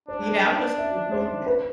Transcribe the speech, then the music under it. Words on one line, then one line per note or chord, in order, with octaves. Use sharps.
Yeah, I would have assumed that though.
D4 C5
D5
E5
C5
B4